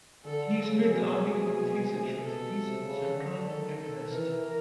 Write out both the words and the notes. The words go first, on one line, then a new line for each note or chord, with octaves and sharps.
He split the army into three sections - East, Central and West.
D3 A4
C#3 A4
B2 G#4
C3
B2
C3
B2 A4
C3
C#3
D3
D#3 A4
A4
E3 A#4